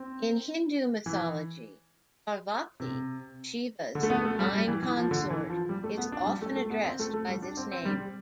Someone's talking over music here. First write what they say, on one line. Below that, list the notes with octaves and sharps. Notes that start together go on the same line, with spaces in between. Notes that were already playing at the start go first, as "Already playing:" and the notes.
In Hindu mythology, Parvati, Shiva's divine consort, is often addressed by this name.
Already playing: C4
E3
C3
D3
A3
B3
A3
G3
G3
E3
E3
F3
D3
E3
F3
G3
A3
B3
D4
G3
A3
A3
B3
C4
A3
A3
G3
D4
C4
C4
G3